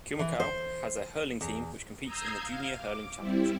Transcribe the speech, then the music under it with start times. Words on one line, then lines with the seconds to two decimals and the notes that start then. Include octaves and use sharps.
Kilmacow has a hurling team which competes in the Junior Hurling Championship.
0.19 E3
0.40 C5
1.41 E2
2.04 A#5 D#6 E6 G6 G#6 C7
2.39 F5
2.77 D6
3.18 G3 C4 E4